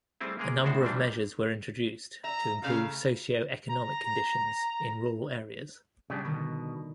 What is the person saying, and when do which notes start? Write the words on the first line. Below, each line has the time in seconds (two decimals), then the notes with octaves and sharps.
A number of measures were introduced to improve socio-economic conditions in rural areas.
0.21 G3 A3 C4 E4 G#4
0.39 G#3 A#3 G#4 A#4
0.63 A2 G#3 D4 F#4 C5 E5
0.82 C3 E3 F3 G3 C4 D4
2.24 E5 A#5
2.63 C#3 A3 F5 A#5
3.70 A#5
6.10 C#3 G3 D4 F#4
6.25 B2 D3 D#3 G3